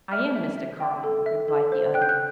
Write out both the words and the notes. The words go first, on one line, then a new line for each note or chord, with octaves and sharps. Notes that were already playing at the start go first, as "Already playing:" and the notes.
"I am Mr. Carling," replied the other.
E5 F6
E5
E5
G5
A4
E5
A4
C5
G5 F#6
G6
F#6